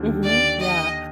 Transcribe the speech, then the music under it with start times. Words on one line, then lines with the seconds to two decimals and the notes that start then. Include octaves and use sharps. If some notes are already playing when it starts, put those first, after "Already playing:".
Mhm. Yeah.
Already playing: D#2 D3
0.25 D5
0.61 D#5